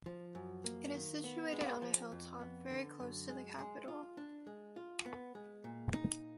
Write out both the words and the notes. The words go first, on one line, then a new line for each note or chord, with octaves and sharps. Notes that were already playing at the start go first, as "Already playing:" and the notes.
It is situated on a hilltop, very close to the capital.
F3
F#2
A#3
D#3
B3
G#3
F3
F2
B3
D3
F#2
G#3
G#3
F4
D4
G#3
F4
B3
G#3
A#2
D#4